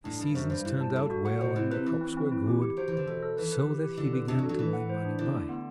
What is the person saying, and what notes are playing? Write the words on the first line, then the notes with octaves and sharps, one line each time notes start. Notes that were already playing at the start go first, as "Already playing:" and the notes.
The seasons turned out well and the crops were good, so that he began to lay money by.
A2 D4
G2 D4
F#2 C5
G2 C5
G2 E4
A5
G2 A4
F#4
A2 F#5
B2 C5
C3 E4
C3 B4
E3 E4
C4
C4
E4
G4
G4
F#3 C5
E3 C5
D3
B2 A4
A4
E3 B4
B4
G4
G4
D3 E4
B4
C3 D4
F#3
A4
F#3
E3 B4
F#5
C5
D4
D3 E4
A3
B3